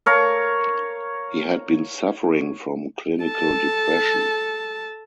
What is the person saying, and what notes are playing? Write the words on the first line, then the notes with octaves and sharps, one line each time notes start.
He had been suffering from clinical depression.
A#4 C#5 F5 A#5
A4 A5